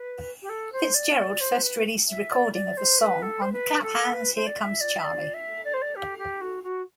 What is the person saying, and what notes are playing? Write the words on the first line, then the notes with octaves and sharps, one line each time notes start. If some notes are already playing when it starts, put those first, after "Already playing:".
Fitzgerald first released a recording of the song on Clap Hands, Here Comes Charlie!
Already playing: B4
G4
A4
C5
D5
D5
C5
B4
E5
D5
D5
C5
B4
A4
C5
B4
A4
B4
C5
D5
E5
D5
E5
D5
E5
D5
C5
D5
G4
G4
F#4
F#4